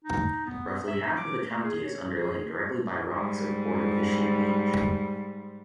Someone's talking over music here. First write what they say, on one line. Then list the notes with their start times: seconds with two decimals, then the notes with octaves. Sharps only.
Roughly half of the county is underlain directly by rocks of Ordovician age.
0.05 D#4
0.46 B3
0.87 E5
1.04 D#4
1.17 D6
1.47 A3
1.64 G#4
1.84 C#5
2.13 G#4
3.09 G#2 G3